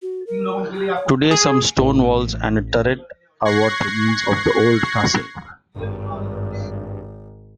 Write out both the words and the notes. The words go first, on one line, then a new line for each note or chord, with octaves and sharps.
Today some stone walls and a turret are what remains of the old castle.
F#4
A#4
G4
C#5
G#4
A1
C#6 F#6 G#6 A#6 C7
G#1 G2